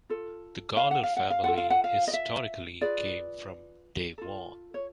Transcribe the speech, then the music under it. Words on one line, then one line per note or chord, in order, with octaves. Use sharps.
The Gawler family historically came from Devon.
F4 A4
F5
F#5
F5
F#5
F5
F4 A4 F#5
F5
F#5
F5
D#5
E5
F4 G#4 B4 D5
F4 A4
C#5